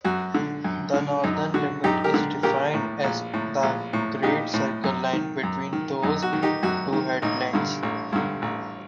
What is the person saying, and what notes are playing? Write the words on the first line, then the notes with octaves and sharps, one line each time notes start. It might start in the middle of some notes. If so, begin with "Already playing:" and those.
The northern limit is defined as the great circle line between those two headlands.
F#2 F#4
D3
F#2
D3
F#2 D#4
D3 F#4
F#2 D#4 G4
G4 A#4
D3
A#1 G4 A#4
A2
A#1
A2
A#1
A2
A#1 D#4 G4
A2
F#2
D#3
F#2
D#3
F#2 D#4
F#4
D#3
D#4 G4
F#2 F#4
D#3
A1 D#4
G2 D3
A1
G2 D3
A1